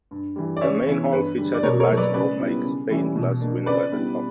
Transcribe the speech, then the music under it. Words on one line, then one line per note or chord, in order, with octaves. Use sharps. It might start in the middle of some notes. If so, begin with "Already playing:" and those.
The main hall featured a large dome-like stained glass window at the top.
G2
E3 G3
D5
C#3 C#5 E5
E3 B3
G2 B4
D3 G3
D5
B2 A#4 C#5
A#4 C#5
F#3 A#3
B4 D5
C#3 B4 D5
G3 B3 E4
C#3
E3 G3 C#4 E4
B2
A#3 D4
C#3 B4 D5
G3 B3 E4